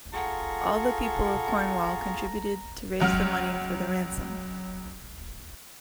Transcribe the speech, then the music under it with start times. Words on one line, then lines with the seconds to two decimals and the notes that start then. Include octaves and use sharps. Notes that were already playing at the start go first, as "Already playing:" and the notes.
All the people of Cornwall contributed to raise the money for the ransom.
0.14 F4 G#4 A4 F#5 A#5 C#6
3.00 C#2 F#3 F#5 F6